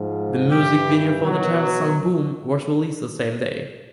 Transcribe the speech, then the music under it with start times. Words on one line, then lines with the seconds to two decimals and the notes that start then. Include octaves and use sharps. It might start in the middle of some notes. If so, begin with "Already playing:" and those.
The music video for the title song "Boom" was released the same day.
Already playing: G#2 F3
0.51 G2 E3 G4
1.24 B2 F#3